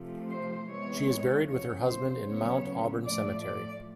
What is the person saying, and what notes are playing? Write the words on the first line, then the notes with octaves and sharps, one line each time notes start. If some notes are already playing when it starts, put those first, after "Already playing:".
She is buried with her husband in Mount Auburn Cemetery.
Already playing: C3 F3 A3
C5
C3 E3 G#3 B3 C#5
E2 C#3 F3 C#5
C5
D2 C#3 F#3 B3 C#5
A2 F3 A3 D5
D5